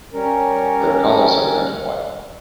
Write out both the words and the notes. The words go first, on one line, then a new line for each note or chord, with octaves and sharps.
Their colors are red and white.
G3 C#4 A#4